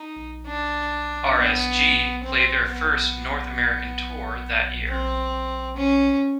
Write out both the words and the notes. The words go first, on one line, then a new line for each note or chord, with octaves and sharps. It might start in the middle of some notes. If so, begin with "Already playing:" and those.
RsG played their first North American tour that year.
Already playing: D#4
D4
B3
C4
B3
C4
C#4